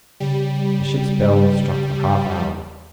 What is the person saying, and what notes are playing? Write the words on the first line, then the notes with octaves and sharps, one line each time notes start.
The ship's bell struck the half-hour.
C#3 G3